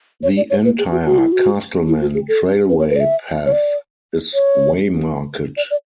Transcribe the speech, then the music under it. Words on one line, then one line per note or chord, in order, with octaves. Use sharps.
The entire Castleman Trailway path is waymarked.
C#5
D5
C#5
B4
G#4
F#4
F#4
E4
F#4
E4
F#4
G#4
A4
B4
C#5
B4
D5
E5
C#5
D5
C#5
D5
D5